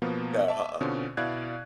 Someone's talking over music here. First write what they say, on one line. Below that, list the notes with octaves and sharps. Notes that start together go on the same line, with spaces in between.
No, uh-uh,
B2 F3 A#3 B3
E5 A5
B2 D3 C4 C#4 F4
B2 E4 D5 F5 F#6 G#6